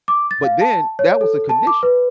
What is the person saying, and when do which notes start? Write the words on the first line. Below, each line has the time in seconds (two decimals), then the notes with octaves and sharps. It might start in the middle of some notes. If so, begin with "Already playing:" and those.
but then that was the condition.
0.08 D6
0.31 A6
0.44 F5
0.61 A5
0.99 C#5
1.21 A4
1.49 A5
1.67 D6
1.83 B4